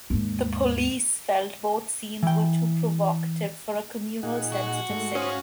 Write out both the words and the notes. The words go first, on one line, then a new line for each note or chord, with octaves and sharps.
The police felt both scenes were too "provocative" for a "communally sensitive" city.
D#2 G#2
E3 G5
A#2 D#4 G#4 F#5
F#4
G#2 G#3 A3
C#4 C5 C#5 F5 D#6